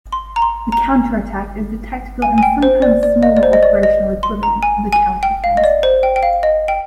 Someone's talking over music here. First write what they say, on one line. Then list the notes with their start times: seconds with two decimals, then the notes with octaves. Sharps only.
A counterattack is the tactical and sometimes smaller operational equivalent of the counter-offensive.
0.12 C6
0.36 A#5
0.42 C6
0.72 A#5
2.22 G#5
2.38 G#5
2.43 G5
2.63 C5
2.82 D5
3.03 D5
3.23 D#5
3.37 D5
3.43 C5
3.53 D#5
3.63 D5
3.83 D#5
4.23 C6
4.43 A#5
4.63 G#5
4.93 G#5
5.23 G5
5.44 F5
5.57 D#5
5.64 D5
5.83 C5
6.03 G5
6.16 G5
6.23 F5
6.43 D#5
6.68 G5